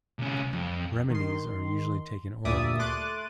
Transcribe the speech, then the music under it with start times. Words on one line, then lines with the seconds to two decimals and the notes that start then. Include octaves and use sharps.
Remedies are usually taken orally.
0.19 C2 C#4
0.53 F2
1.10 D#3 C6
2.45 D2 G2 A#2 D5 E5 D#6
2.79 A3 C6 D6 F#6 A6 D#7